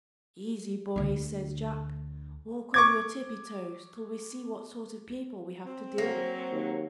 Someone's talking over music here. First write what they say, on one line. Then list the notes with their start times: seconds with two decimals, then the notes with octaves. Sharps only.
"Easy, boys!" says Jack: "walk on your tippy toes till we see what sort of people we have to deal with."
0.96 D2 D3
2.74 C#6 D6 G#6
5.65 C4
5.98 F#3 A#3
6.52 D#2